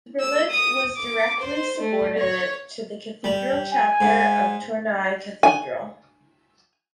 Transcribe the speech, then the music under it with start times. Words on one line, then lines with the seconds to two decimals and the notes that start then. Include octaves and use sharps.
The village was directly subordinate to the cathedral chapter of Tournai Cathedral.
0.20 E6
0.50 D#6
0.96 D6
1.39 C5
1.80 A3
2.18 C#5
3.24 G3
3.72 G#5
4.01 G#2
5.43 G#5